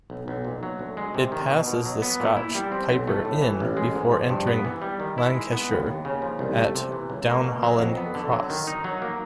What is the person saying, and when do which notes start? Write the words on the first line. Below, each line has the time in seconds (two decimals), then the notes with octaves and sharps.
It passes the Scotch Piper Inn before entering Lancashire at Downholland Cross.
0.10 B1
0.28 B1
0.45 A#2
0.63 F#3
0.79 D2
0.97 G#3
1.14 C3
1.32 D#3
1.50 B2
1.67 B2
1.85 F#3
2.02 B3
2.20 A#2
2.37 E4
2.55 G3
2.72 C4
2.90 B1
3.07 A3
3.25 A2
3.42 E3
3.60 A1
3.77 G#3
3.95 G#2
4.12 F3
4.29 G2
4.47 B3
4.65 E3
4.82 G3
5.00 D#3
5.18 E4
5.34 G#3
5.52 B3
5.70 D#2
5.87 D#2
6.05 C#3
6.22 F3
6.39 C2
6.57 A3
6.75 C3
6.92 E3
7.10 C#2
7.28 A#3
7.44 B2
7.63 F#3
7.79 F2
7.97 B3
8.15 D3
8.32 F#3
8.50 D#3
8.67 D#4
8.84 F#3
9.02 A#3